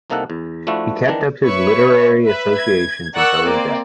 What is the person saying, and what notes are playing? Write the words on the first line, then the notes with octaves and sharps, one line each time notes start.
He kept up his literary associations until his death.
C2 C3 A#3 D#4 A4 F#5
E2
F3 A3 D4 E4 F#4
D#3 E3 D4 A#5
B4 C#5 E5 C#6
B4 E5
G#6
A#4 D5 F#5 C#6 E6 F#6
A#3 C4 D5